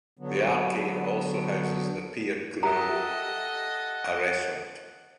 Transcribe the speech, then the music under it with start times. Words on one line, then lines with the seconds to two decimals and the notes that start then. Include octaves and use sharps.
The arcade also houses the Pier Grille, a restaurant.
0.19 D3 F#3 B3
2.63 G4 A4 D#5 E5 F#5 A#5 D#6